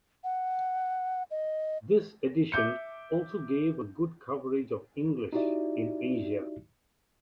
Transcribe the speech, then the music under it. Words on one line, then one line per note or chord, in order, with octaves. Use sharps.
This edition also gave a good coverage of English in Asia.
F#5
D#5
E5 D6 G6 C#7
D#4 E4 F#4 G4 D5 E5